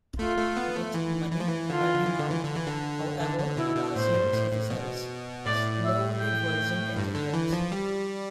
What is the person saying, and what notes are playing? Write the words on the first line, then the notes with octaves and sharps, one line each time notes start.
With money running out, however, Lazio's results slowly worsened in the years.
A3 F4
A3
B3
A3
E3
E3
F3
E3
D3 F4
E3
D3
E3
D3
E3
D3
E3
D3
D3 D4
D3
B2 E4
B2
A2 C5
G2
A2
A2
B2
A2 D5
E5
G5
G2
D3
E3
F3
G3